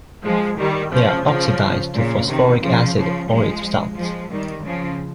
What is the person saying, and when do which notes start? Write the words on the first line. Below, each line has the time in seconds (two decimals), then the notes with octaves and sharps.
They are oxidized to phosphoric acid or its salts.
0.25 F3 G#3
0.59 D#3 G3
0.93 C#3 F3
1.26 C#3 F3
1.94 A#2 C#3
2.28 C3 D#3
2.62 C#3 F3
2.96 C#3 F3
3.30 F3 G#3
3.98 F3 G#3
4.32 D#3 G3
4.65 C#3 F3